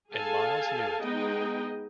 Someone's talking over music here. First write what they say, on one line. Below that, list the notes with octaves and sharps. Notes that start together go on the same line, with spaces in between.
And Miles knew it.
G#4 A4 F5 G#5 A5
G#3 B3 D#4 G#4 D#5 G5